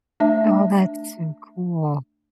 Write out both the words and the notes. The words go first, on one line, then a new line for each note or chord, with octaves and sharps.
Oh, that's so cool.
A3 D4 E5 A5